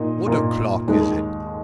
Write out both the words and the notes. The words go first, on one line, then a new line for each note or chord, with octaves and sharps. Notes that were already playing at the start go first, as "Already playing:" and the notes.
"What o'clock is it?"
Already playing: A#2 A#3 D#4
A#2 A#3 D#4
D#2 D#3 G#3